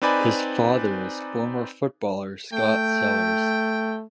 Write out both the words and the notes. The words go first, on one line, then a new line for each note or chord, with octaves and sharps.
His father is former footballer Scott Sellars.
C4 D#4 B4 D5 G#5 B5
A3 G5